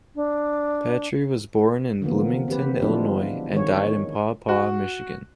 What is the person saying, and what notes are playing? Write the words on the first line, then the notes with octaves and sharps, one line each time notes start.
Petrie was born in Bloomington, Illinois and died in Paw Paw, Michigan.
D4
D3 E3 F3 A#3 B3
C4 G4 B4
F3 G#3 B3 D4 E4 F4
D#3 G#3 C#5
C#5
F#4